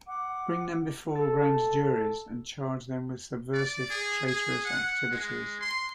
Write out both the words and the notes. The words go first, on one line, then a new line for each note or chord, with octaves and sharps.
Bring them before grand juries and charge them with subversive, traitorous activities.
F#5 D6
A4
D5
G#4
G#4
F#5
G#3
C6